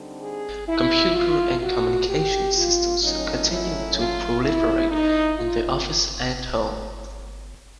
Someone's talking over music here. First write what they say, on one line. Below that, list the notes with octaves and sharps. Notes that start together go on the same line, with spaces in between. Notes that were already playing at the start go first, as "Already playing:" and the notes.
Computer and communications systems continue to proliferate in the office and home.
Already playing: D3 G3 C4 D#4
G#4
E4
F4
F#4
G4
F4
A#2 F#3 A3 C#4 D#4
E4
F4
E4
D#4
F4